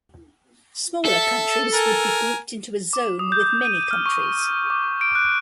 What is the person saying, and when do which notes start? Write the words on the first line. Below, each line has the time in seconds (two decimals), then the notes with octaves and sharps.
Smaller countries would be grouped into a zone with many countries.
1.05 A4 E5
1.74 A#4 G#5
2.93 D6
3.19 D#6
3.32 G6
3.65 D#7
3.91 F6
4.06 C#6
4.70 D6
5.01 D7
5.15 F#6